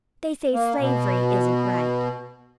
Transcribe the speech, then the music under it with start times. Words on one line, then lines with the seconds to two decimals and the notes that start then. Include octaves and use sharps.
"They say slavery isn't right."
0.54 A#3
0.80 B2